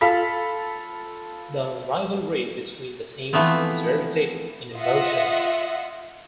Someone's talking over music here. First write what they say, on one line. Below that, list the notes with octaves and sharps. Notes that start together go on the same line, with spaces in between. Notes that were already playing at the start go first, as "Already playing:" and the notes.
The rivalry between the teams is very deep and emotional.
F4 A4 F5 B5 B6
E3 F3 A3 B3 C4
F4 D#5 E5 F#5